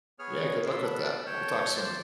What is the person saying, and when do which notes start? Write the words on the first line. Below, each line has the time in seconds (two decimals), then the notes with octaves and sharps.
Yeah. Good luck with that. We'll talk soon.
0.19 B3 G#4 C#5 F6
0.66 G#3 B4 D5 C6 E6
0.82 B3 D4 A5 B5
1.26 C#5 G5 A5
1.76 C5 D5 A5